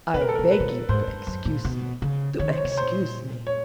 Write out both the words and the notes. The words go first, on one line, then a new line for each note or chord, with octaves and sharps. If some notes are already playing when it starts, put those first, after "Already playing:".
I beg you to excuse me, to excuse me...
B2 B4
A#4
A4
A#4
B2
B4
B2
A#2
G#2 C5
G2
F#2
A#2
B2
C#3
D#3 C#5
C5
C#5
C3
C#5
B2 C5
A#2
C#5